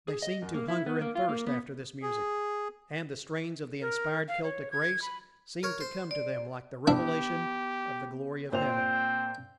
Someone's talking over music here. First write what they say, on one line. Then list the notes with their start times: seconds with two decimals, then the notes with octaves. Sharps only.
They seemed to hunger and thirst after this music, and the strains of the inspired Celtic race seemed to come to them like the revelation of the glory of heaven.
0.08 G#4
0.22 D#5
0.42 F#2
0.54 A#3
0.68 E4
0.86 B3
1.01 A#3
1.15 F4
1.29 A#3
1.47 B3
2.02 G#4
3.81 A#4
4.28 F5
4.43 C#5
4.71 G#6
5.02 B5
5.63 A#4 C#5
5.81 C5
6.11 D5
6.87 B3 D4 E4 G4
8.52 A#2 C4 C5 G5 F7